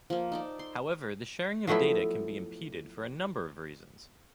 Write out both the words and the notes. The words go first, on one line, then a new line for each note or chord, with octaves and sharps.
However the sharing of data can be impeded for a number of reasons.
F3 A#3
D#4 A4 D5
C6
F3 F#3 A3 B3 E4